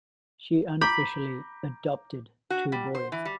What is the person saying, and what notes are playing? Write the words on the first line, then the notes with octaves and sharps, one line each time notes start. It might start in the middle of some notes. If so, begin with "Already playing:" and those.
She unofficially 'adopted' two boys.
A#5 B5 D6 G6
F#4
G3
C5
E3
G3